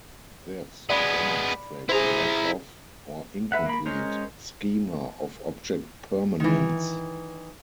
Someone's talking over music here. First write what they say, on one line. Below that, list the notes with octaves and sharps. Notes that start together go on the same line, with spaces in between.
This demonstrates a lack of, or incomplete, schema of object permanence.
G#3 B3 D5 B5
E4 G#4 C5 A#5
B4 E5 F#5
A#3 B5
G#3 C#4 A#4 C5
D#3 E3